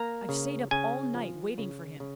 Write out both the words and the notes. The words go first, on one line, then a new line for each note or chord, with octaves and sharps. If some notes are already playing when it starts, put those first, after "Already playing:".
I've sate up all night waiting for him.
Already playing: A#3 A#5
C#3
C#3 G#5
F3
C#3
C#3